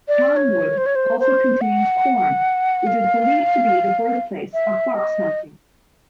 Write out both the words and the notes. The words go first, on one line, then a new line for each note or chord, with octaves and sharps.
Charnwood also contains Quorn, which is believed to be the birthplace of fox-hunting.
D5
C#5
C5
C#5
C5
C5
F#5
F5
E5
D#5